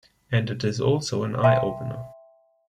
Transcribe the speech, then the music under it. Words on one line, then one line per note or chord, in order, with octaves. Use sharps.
And it is also an eye opener.
E5 G5 A5 C6